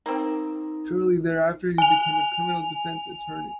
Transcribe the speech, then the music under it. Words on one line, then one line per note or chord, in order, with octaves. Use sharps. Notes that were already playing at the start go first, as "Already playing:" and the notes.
Shortly thereafter he became a criminal defense attorney.
A#3 C4 D#4
G#5 F7